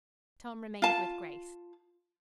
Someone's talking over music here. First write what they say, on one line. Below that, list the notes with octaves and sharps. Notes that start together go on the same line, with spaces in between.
Tom remained with Grace.
F4 A5